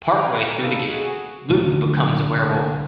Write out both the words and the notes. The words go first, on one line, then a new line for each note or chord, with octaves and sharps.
Part way through the game, Lewton becomes a werewolf.
F5 G5 G#5 A#5 B5
C3 D#4 A4 B4 F5 E6
F#4 G#4 E7
D2 B2 D#3 F3 A3
D3
A#1 F#3 A#3
C2